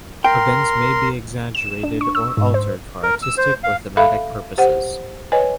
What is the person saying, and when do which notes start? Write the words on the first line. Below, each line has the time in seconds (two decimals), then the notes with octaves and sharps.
Events may be exaggerated or altered for artistic or thematic purposes.
0.25 A#4 G5 C6
1.55 E7
1.83 D4
2.01 C#6
2.15 E6
2.37 G#2
2.54 C5
3.03 A#4
3.22 E6
3.37 C5
3.63 F5
3.97 A4 E5 F5 B5
4.58 G4 C5 F#5
5.32 B4 C#5 D#5 G#5